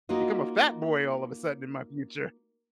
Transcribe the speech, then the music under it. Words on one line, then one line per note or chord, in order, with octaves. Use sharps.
become a fat boy all of a sudden in my future.
A#3 D#4 F4 F#4 D#5